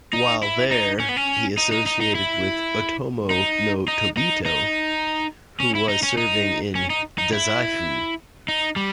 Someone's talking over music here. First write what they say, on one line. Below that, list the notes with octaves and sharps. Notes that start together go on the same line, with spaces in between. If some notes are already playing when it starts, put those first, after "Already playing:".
While there, he associated with Otomo no Tabito, who was serving in Dazaifu.
D#4
E4
D#4
C#4
B3
C#4
D#4
D#4
D#4
D#4
E4
D#4
D#4
D#4
D#4
C#4
E4
D#4
C#4
D#4
C#4
D#4
D#4
E4
D#4
G3